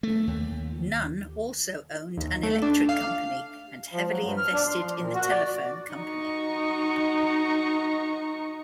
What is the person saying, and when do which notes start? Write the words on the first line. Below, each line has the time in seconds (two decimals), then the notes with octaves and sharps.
Nunn also owned an electric company, and heavily invested in the telephone company.
0.03 A3
0.27 D#2
2.17 D#2
2.43 A3
2.62 D4
2.89 F5
3.93 F3
4.09 F#3
4.23 G2
4.37 F6
4.53 D4
4.67 C6
4.79 F3
5.00 A#2
5.14 F#4
5.31 D5
5.93 D#4 F#4 D#5 A#5 C#6